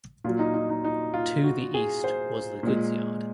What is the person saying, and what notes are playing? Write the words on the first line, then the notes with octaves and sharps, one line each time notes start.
To the east was the goods yard.
A#2 F#3 F4
D#4
D#4
D#4
D#4
F4
F#4
G#4
C5
A#2 G#3